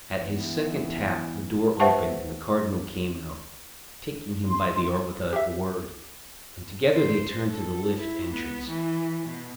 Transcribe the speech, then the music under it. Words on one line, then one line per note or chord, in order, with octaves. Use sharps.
At his second tap the door opened and the Cardinal came out, taking him by the arm without a word; and together they turned to the lift entrance.
E3 B3
B4 C5 E5 F#5 A5 C#6
C6
G4 E5
C5
A4
E4
B3
E3
B2